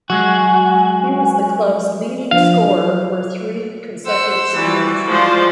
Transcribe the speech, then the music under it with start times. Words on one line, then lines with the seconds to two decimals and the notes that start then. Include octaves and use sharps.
He was the club's leading scorer for three consecutive seasons.
0.10 F#3 G#3 F#4 G#5
2.31 F3 D4 F5
2.67 F#3
4.06 C5 F#5 E6
4.57 E3 G3 F#4 D5
5.10 F3 G#3 F4 C5 D5